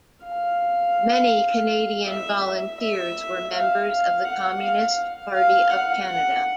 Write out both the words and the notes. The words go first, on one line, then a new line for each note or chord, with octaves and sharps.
Many Canadian volunteers were members of the Communist Party of Canada.
F5
E5
E5
E5
F5
F5
F#5
F5
F5
F#5
F#5